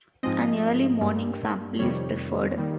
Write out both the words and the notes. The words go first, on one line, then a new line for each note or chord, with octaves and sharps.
An early morning sample is preferred.
G#2 F3 G#3 C4 D#5
G2 G3 A#3
F2 C3 D#3 G3 C4 C#5
D#3 G3 A#3